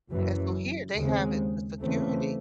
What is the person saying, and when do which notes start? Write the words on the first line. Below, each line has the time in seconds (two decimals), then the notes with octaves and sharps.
Yeah, so here, they have it, the security.
0.12 F#1 F#2 E3
0.97 D#2 C#3 G#3 C4
1.82 E2 C#3 E3 A3 C4